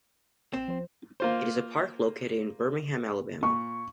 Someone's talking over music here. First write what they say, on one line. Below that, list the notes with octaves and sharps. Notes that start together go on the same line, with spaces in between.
It is a park located in Birmingham, Alabama.
A1 C4 E7
F3 C5
A#3 F4 C5
A#2 C#6